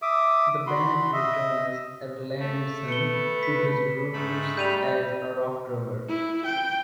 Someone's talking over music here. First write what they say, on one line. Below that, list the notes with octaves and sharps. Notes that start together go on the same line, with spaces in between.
The band returns Erlandsson to his roots as a rock drummer.
E5 D6 D#6
F#4 B5 C6
D#5 E5
A3
B4 C#7 G7
B6
G#2 A3 B5
G3 G6 D#7 F7
E4
G5